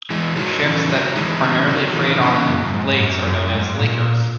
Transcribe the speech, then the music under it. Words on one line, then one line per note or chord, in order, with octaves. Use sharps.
Ships that primarily trade on the lakes are known as "lakers".
E3 G#3
D#3 F#3
C#3 E3
D#3 F#3
E3 G#3
C#3 E3
D#3 F#3
C#3 E3
C#3 E3
F#2
F#2
G#2
F#2
F#2
G#2
A#2